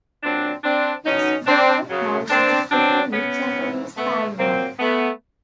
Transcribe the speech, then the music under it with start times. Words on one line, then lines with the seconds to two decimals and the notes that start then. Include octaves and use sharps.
Its goal now was to fully Japanize Taiwan.
0.23 A#2 F#3 C4 D4
0.64 C4 D4
1.06 B2 F#3 C#4 D#4
1.47 C4 D4
1.89 F#2 C#3 F#3
2.30 C4 D4
2.71 B2 F#3 C4 D4
3.13 B3 C#4
3.55 G#2 E3
3.97 A3 B3
4.38 A#2 F#3 A#3 C4
4.79 A3 B3